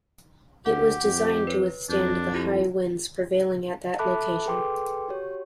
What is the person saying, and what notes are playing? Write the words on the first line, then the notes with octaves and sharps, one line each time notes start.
It was designed to withstand the high winds prevailing at that location.
D2 G4 F#5
F2
B4 C#5
F2 D4 G6
E4 F4 G4
A4 E5 A5 B5 D6 F#6
G#4 A4 B4 G5 C6 D6
F#4 G4 C#5